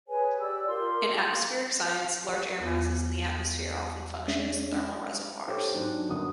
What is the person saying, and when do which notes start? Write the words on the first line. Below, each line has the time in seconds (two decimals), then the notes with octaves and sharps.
In atmospheric science, large air masses in the atmosphere often function as thermal reservoirs.
0.07 G#4 B4 C#5 G#5
0.40 G4 D5 E6
0.67 F4 G4 A#4 C6
1.15 F5
2.60 E2 B3 F4
4.28 G#3 C#4 D4 E5
5.47 G4 A4 C5 C#5 G5 D6
5.74 G#2 F#3 D4
6.09 G1 F#2 D3 F#3 F#5 D#6